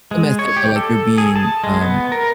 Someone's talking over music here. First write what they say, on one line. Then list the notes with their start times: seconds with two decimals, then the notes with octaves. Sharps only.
not messed up, but, like, you're being, um,
0.11 G#3
0.39 C#5
0.56 G4
0.76 A4
1.18 G#4
1.36 A5
1.64 G#3
1.81 B3
2.12 A#4